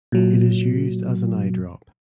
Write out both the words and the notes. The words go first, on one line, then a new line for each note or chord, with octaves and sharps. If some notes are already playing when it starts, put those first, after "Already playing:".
It is used as an eye drop.
A#2 F#3